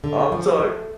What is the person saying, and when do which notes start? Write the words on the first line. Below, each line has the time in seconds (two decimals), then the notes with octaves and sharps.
I'm sorry
0.04 D3
0.32 F3
0.59 A3